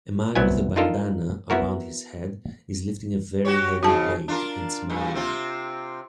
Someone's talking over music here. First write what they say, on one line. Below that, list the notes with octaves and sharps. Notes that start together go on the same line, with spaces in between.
A man with a bandanna around his head is lifting a very heavy weight and smiling.
C2 F#3 B3 E4 G#5
D4 D#4 F4 A4 A#4
B3 E4 F#4 A#4
F#4 G4 C#5
G#2 C#3 F#4 A5
D4 F4 A#4
G2 A#2
C3 C4 F4